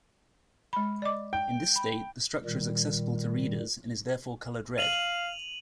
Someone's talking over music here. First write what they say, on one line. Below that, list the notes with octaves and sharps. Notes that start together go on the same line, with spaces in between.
In this state, the structure is accessible to readers, and is therefore colored red.
G#3 B5
D5 D#5 D6
G5
B5
A#2 D#3 G3
F5 D#7 F7 F#7